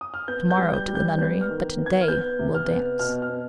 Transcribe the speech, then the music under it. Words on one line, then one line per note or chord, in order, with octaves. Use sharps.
To-morrow to the nunnery, but to-day we'll dance.
D#6
F6
B3 G6
G6
G3
G6
G3
G6
B3 G6
F6
D#3
B3
G#6
F6
B3 G6
C3
F6
B3
B2 F6
F6
B3